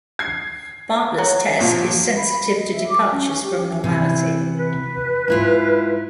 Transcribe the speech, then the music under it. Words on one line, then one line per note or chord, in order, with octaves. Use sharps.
Bartlett's test is sensitive to departures from normality.
G#6 C7
F#3
G1 A#2 F3
B5
D#5
E5
D6
C#4
G4
C3 E3 E4
B4
G#2 E4 F4